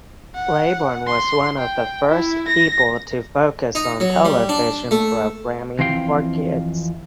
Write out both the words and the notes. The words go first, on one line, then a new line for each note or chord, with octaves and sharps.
Laybourne was one of the first people to focus on television programming for kids.
F#5
C6
G5
E4
A#6
D#4
F#3
G3
D4
A3
F2 E3 C4 F5 G5